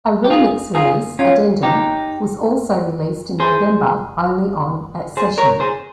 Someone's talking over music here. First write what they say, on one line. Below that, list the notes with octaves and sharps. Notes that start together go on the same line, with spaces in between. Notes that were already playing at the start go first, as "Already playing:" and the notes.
A remix release, "Addendum", was also released in November only on Accession.
G4
F4 G#4
F4 G#4
C#4 F4
D#4 G4
G#4 C5
G#4 C5
A#4 C#5
G#4 C5